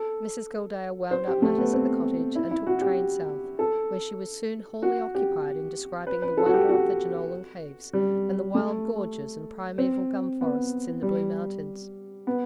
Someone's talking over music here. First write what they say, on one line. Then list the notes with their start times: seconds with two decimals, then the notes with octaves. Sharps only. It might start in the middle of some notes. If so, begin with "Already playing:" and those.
Mrs Gildea wound up matters at the Cottage and took train south, where she was soon wholly occupied in describing the wonder of the Jenolan Caves and the wild gorges and primaeval gum forests in the Blue Mountains.
Already playing: A4
1.11 C5
1.27 G4
1.42 A3
1.58 B3
1.73 C4
2.35 E4
2.51 E4
2.67 F#4
2.81 G4
3.59 A4
4.82 F#4
5.15 G4
6.07 B4
6.22 B4
6.37 A4
6.46 F#4
6.54 G4
6.69 F#4
7.93 G3
8.55 A3
9.78 C4
10.41 B3
11.03 G3
12.27 B3